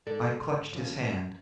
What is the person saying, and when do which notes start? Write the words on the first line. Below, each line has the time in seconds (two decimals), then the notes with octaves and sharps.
I clutched his hand.
0.07 G#2 A4 D5
0.73 E2 F3 C#4